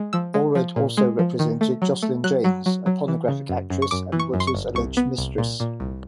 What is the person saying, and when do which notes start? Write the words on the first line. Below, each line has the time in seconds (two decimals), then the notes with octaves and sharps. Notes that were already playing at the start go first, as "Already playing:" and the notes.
Allred also represented Joslyn James, a pornographic actress and Woods's alleged mistress.
Already playing: G#3
0.13 F3 E6
0.34 G#3
0.55 F3
0.76 A#2
0.97 G#3
1.19 F3
1.39 D#3
1.61 A3
1.82 F#3
2.03 A3
2.24 F#3 F#6
2.44 F#3
2.66 F#3
2.86 F#3
3.08 E3
3.28 C#3
3.49 F#2
3.70 F#2
3.82 C#6
3.91 F#2 D6
4.12 E3
4.20 C#6
4.34 F#2
4.40 C6
4.47 C#6
4.55 G1
4.75 C2 C#6
4.97 B3
5.18 C2
5.38 A#2
5.60 A#2
5.80 C2